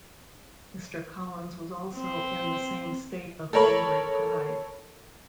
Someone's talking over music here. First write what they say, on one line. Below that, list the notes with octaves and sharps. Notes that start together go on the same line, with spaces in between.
Mr. Collins was also in the same state of angry pride.
C4
A4 A#4 C#5 B5